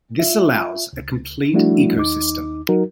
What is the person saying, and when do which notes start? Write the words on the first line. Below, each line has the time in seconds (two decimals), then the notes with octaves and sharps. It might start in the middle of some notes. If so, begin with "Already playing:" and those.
This allows a complete ecosystem.
0.19 F4 E5
0.93 C#2
1.53 F3 G3 A3 D4 E4 F#4
1.96 D#2 D#4 D6
2.69 F#3 D#4 F#4 A#4